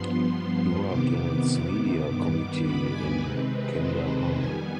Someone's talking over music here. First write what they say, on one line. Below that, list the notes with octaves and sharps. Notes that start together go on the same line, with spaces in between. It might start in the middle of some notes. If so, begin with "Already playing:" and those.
He worked in its media committee in Kandahar.
Already playing: G2 F3 B3 C6
C3 D#3 B3 D6
D6
G2 D#3 B3
B5
G#5
C3 D#3 G#3 C4 B4
C5
F2 D#3 G3 B3 G#5